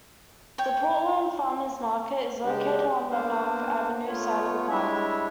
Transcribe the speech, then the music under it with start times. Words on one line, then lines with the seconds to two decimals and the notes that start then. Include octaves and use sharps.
The Portland Farmers Market is located on the Park Avenue side of the park.
0.58 C#5 G5
2.44 C#3 G#3 D4 G4
3.10 A#3 B3 D4 C5 F5
4.07 A3 B3 F4 C#5
4.70 G3 G#3 D4 E4 C#5 E5